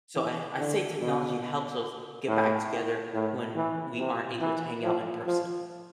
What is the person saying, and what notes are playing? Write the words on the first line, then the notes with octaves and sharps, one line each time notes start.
So, eh, I say technology helps us get back together when we aren't able to hang out in person.
E3
D3
B2
A2
A2
E3
C3
E3
F3
F3